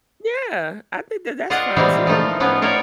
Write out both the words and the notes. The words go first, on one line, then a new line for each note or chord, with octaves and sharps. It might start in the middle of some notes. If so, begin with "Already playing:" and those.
Yeah, I think that that's fine too.
F4 F#4 G#4 D5 D#5 F#5
A#2 E3 G3 G#3 A#3 C4
F3 A3 D#4 F4
A2 F3 B3 C#4 F4 B4
F4 A#4 C#5 D5 E5 G5